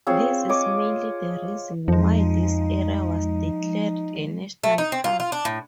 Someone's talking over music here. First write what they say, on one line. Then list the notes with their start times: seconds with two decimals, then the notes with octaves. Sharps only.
This is mainly the reason why this area was declared a National park.
0.07 C4 F4 G#4 C#5
0.49 C#5 D#5 D6
1.88 F2 F3 G#3 D#4
4.64 A3
4.78 D#4
4.92 C4
5.04 F4
5.20 F4
5.32 D4
5.45 A2